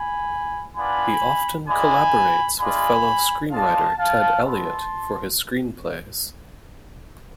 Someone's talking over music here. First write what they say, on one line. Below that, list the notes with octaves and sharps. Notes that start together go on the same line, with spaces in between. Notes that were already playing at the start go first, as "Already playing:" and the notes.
He often collaborates with fellow screenwriter Ted Elliott for his screenplays.
Already playing: G#5 B5
B3 D4 F4 G#5 B5
G#3 D4 F4 G#5 B5
G#3 D4 F4 G#5 B5
G#3 D4 F4 F5 A5
F5 A5
G#3 B3 E4 A5 C6